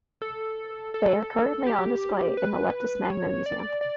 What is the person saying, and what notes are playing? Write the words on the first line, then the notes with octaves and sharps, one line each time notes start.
They are currently on display in the Leptis Magna Museum.
A4
A4
G4
B4
C#5
D5
D5